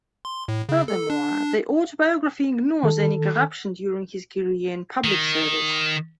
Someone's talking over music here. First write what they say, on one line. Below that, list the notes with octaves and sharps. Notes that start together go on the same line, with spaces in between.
Furthermore, the autobiography ignores any corruption during his career in public service.
C6
A2
C#3
A4
D4
D#3 A4
D#3